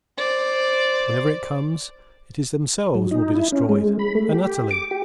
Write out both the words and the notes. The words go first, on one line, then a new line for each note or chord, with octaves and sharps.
Whenever it comes, it is themselves will be destroyed, and utterly.
C5 D5
F#3
D#4
E4
C#4
G#3
B5
A3
G4
D6
G4